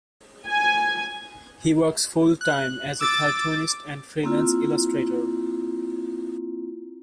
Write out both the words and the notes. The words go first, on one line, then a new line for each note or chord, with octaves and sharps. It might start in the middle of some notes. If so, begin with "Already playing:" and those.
He works full-time as a cartoonist and freelance illustrator.
G#5
F#6
D6 E6 A6
A#3 C4 E4 F4